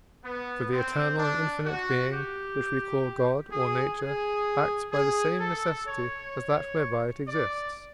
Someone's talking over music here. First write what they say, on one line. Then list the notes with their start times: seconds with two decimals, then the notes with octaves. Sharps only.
For the eternal and infinite Being, which we call God or Nature, acts by the same necessity as that whereby it exists.
0.25 B3
0.72 C4
1.18 D4
1.65 F#4
2.12 G4
3.52 G#4
4.00 G#4
4.92 G#4
5.40 A4
5.86 C#5
7.28 D5